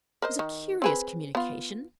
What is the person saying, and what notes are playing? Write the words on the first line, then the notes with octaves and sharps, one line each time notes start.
It was a curious communication.
A#4 C5 D#5
D#3
C4 G#4 B4
B3 F4